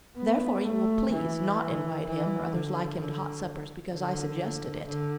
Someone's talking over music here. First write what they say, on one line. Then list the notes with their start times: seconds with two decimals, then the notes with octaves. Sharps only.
Therefore you will please not invite him or others like him to hot suppers because I suggested it.
0.18 B3
0.65 A3
1.12 E3
2.06 E3
2.53 D3
2.99 D3
3.93 D3
4.87 D3